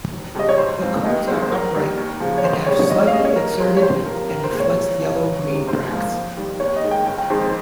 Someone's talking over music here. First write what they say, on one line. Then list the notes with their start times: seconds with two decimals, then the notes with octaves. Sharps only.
The cones are upright and have slightly exserted and reflexed yellow-green bracts.
0.13 F1
0.35 F2 C#3 G3 D#5
0.49 C#5
0.58 G#1 C5
0.82 G#2 F3 C4 D#4
1.04 D#2 D#5
1.28 D#3 G#3 C4 C5
1.42 C5
1.51 F1 A#4
1.74 D#2 D#3 G3
1.98 D#2
2.20 C#3 F3
2.38 C#5
2.44 F2 C5
2.66 C#3 G3 C4 C#5
2.81 C#5
2.90 G#2 D#5
3.01 C#5
3.07 F5
3.13 G3 C#4 G#4 D#5
3.25 C#5
3.36 C2 A#4
3.59 C3 F3 G#3 C5
3.77 C#5
3.82 C#2 C5
4.06 C3 F3 A#4
4.29 A#1 A#4
4.44 C5
4.52 A#2 G#3
4.60 C#5
4.75 C2
4.99 C3 F3
5.22 C2
5.44 C3 D#3 G#3 C#4
5.67 G#1 C5
5.91 G#2 F3 A#3 F4
6.14 F2
6.37 D#3 G3
6.60 D#2 C#5
6.76 D#5
6.84 D#3 G#3
6.91 G5
7.06 G1 G5
7.18 G5
7.30 F2 D#3 G#3 D#4 C5
7.42 C5